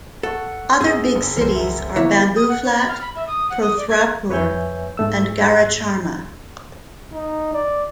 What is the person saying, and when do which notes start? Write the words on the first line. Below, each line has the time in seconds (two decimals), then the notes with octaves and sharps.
Other big cities are : Bambooflat, Prothrapur, and Garacharma.
0.23 A4 F#5 C#6
0.81 G2 C4 D4 G#4 D#5 E6
1.15 F#1
1.37 D#1 C2 E3 A#4 C5
1.55 E5 A#5
1.96 D3 A#3 B3 E4 C#5
2.36 D#6
2.49 F#5
2.64 C#5
2.76 B5
2.89 F6
3.01 B5
3.16 E5
3.27 D#6
3.50 F#5
3.61 D#6
3.77 D5
3.90 G#6
4.30 F2 B4 C#5 E5 G#5 G6
4.97 G#2 A3 E6
7.13 D#4
7.54 D5